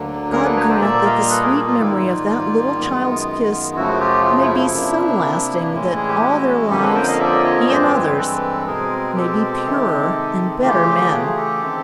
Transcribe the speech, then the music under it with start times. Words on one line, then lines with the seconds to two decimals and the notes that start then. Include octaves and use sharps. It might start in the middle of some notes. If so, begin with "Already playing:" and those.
God grant that the sweet memory of that little child's kiss may be so lasting that all their lives, he and others, may be purer and better men.
Already playing: D2 D3 F#3 A#3 D4
0.32 G#4 A#4
0.44 A4 B4
0.56 B4 C#5
0.69 C5 D5
0.81 A#2 G3 A#3 D5 E5
1.05 D#5 F5
1.30 A4 B4
1.42 G#4 A#4
1.67 F4
1.79 G#2 D#3 G3 A#3 E4
2.04 F4
2.28 F4
2.78 F#2 D#3 G#3 B3
3.76 F#2 C#3 F3 A3 E4 F#4
4.00 F4 G4
4.25 F4
4.41 E4
4.58 E4
4.74 C3 F3 A#3 D4
5.73 A2 E3 G#3 C#4 E4
5.97 G#4
6.09 G4
6.21 E4 F#4
6.70 F2 D3 F3 A#3 C#4 G4 A4
6.83 A4 B4
6.95 A#4 C5
7.08 D#5 F5
7.20 D5 E5
7.44 C#5 D#5
7.57 C#5
7.68 G2 E3 G#3 C4 C5 D5
7.94 B4 C#5
8.18 A4 B4
8.67 B2 G#3 C4 G#4 A#4
9.16 G4 A4
9.65 C3 D#3 G#3
10.63 C#3 E3 A3 F4 G4
11.13 F#4 G#4
11.37 G4 A4
11.63 D#3 G#3 C4